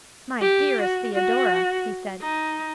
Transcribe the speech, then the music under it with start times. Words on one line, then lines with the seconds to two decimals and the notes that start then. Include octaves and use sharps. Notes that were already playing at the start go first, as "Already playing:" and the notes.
"My dearest Theodora," he said.
0.41 G4
0.81 F#4
1.14 F#4
2.21 D#4